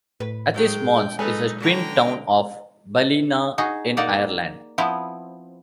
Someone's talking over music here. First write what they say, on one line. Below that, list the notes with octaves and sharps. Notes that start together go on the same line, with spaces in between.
Athis-Mons is a twin town of Ballina in Ireland.
A2 B4
G#2 F#3 G#3 G5
F#3 G#3 D#4 A4 B4 G#5
D3 C#4 F#4 G5 A#5
D#4 F#4 G#4
A#3 D#4 D5 F#5
F3 B3 C4 E4